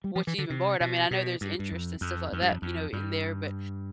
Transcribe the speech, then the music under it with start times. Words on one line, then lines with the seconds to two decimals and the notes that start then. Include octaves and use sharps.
what you even borrowed. I mean, I know there's interest and stuff like that, you know, in there, but
0.04 G3
0.16 F3
0.27 E3
0.38 D3
0.50 C3
0.80 B2
1.11 B2
1.41 G2
1.59 G2
1.72 F2
2.01 F2
2.32 F2
2.41 G2
2.51 F2
2.62 F2
2.93 G2